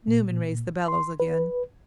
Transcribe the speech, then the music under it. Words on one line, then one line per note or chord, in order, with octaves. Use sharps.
Newman raised the bellows again.
A#2
C6
B4